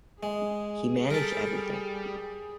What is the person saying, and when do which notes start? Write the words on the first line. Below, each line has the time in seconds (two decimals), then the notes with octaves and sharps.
He managed everything.
0.23 G#3 G#4
1.10 G3 A4 A#4